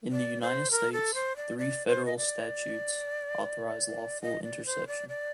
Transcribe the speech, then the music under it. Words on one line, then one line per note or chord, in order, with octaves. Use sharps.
In the United States, three Federal statutes authorize lawful interception.
D5
C5
A#4
A4
C5
D5
D5
C5
D#5
D5
D#5
D5
C5
D5
D5